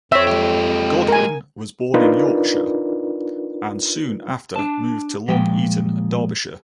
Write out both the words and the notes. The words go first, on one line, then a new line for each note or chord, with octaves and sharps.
Godwin was born in Yorkshire and soon after moved to Long Eaton, Derbyshire.
F2 C4 C#5 E5
G#3 G4
A#4 G#5
D4 D#4 F4 A#4 B4 D5
D4 A5
A#2 F3 G#3 G5